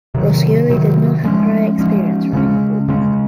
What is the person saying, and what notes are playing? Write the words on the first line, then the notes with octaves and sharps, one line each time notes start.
Roscioli did not have prior experience running a ballpark.
C3 D#3 F#3
C3 D#3 F#3
F3 G#3 C#4
F3 G#3 C#4
C#3 G#3 C#4
C#3 G#3 C#4